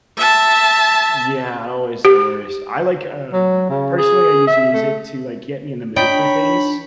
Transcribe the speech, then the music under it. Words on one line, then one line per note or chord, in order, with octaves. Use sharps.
Yeah, always the worst. I like, um, personally, I use music to, like, get me in the mood for things.
E5 A5
G4
F#3
C#3
G#4
E5
A3
D4 D#4 C#5 G5 B5